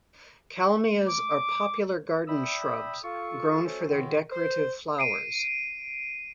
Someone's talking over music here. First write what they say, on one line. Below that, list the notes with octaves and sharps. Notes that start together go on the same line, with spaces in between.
Kalmias are popular garden shrubs, grown for their decorative flowers.
D6
D5 E5 G5 B5 D#6 E6
F4 A4 C#6
A3 C#4 F#4 A4 C5
C#2 F#2 A2 D3 D#3
C5
C7 D7 D#7